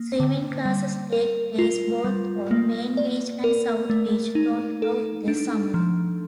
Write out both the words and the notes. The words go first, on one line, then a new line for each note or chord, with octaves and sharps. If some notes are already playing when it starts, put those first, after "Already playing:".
Swimming classes take place both on Main Beach and South Beach throughout the summer.
Already playing: A#3
D3
G3
A#4
F4
G3
A#3
D5
A#4
A3
D#4
A4
D4
F3